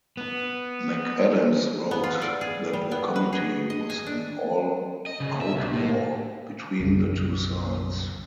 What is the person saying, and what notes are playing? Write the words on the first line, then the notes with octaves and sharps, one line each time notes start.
McAdams wrote that the committee was "an all-out war" between the two sides.
B3
B3
F4
D5
G#4
G3
B3
B4
G#4
D#5
G#5
D4
D#5
C#3
E5
B1
A2
B1 F#2 C#3